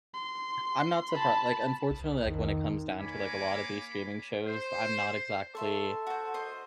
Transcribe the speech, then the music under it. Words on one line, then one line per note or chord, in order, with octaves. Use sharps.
I'm not surpri like, unfortunately, like, when it comes down to, like, a lot of these streaming shows, I'm not exactly
C6
A5 B5
C2
F2 D#3
A#3 C#5 G#5 B5 D6
C5
A4 E5 C6 C#6
F#4 C5
C5 D#5 C6